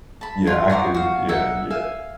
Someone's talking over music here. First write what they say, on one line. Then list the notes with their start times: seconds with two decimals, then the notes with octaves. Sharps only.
Yeah, I could yeah, yeah.
0.21 A5 B5
0.47 F4
0.70 D#4 F#4 C5 D5
0.94 F#4 F5
1.28 D#4 E5 F#5
1.70 E5 F5 G#5